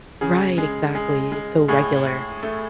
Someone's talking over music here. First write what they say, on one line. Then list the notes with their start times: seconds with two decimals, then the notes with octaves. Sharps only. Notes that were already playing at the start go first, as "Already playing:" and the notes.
Right, exactly, so regular.
0.21 C#3 G#4
0.58 G#3
0.95 G#3
1.32 G#3
1.69 A2 G#4
2.06 A2
2.43 A3